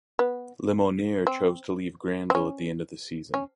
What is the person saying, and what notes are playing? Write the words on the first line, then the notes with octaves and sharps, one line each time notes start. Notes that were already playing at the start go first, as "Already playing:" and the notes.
Lemonnier chose to leave Granville at the end of the season.
B3
C4
C4
C#4
C#4